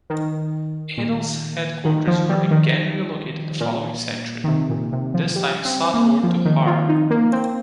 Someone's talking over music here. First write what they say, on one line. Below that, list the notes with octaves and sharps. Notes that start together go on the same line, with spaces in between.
Adal's headquarters were again relocated the following century, this time southward to Harar.
D#3
A#2
D#3
F3
G3
D#3
A#2
D#3
C3
A#2
C3
F3
G3
C4
A#3
F3
D#3
F4
D#4
A#3
C4